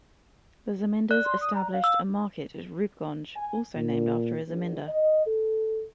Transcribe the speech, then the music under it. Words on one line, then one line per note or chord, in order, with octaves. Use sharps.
The zamindars established a market at Roopgonj, also named after a zamindar.
D5 F#6
C6
D#6
A#5
F5
E6
G#5
A#2
A#1
D#5
A4